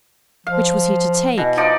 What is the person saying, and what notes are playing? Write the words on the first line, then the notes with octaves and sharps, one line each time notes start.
Which was he to take?
F3 F5
B2 E3
F3 D#4 D5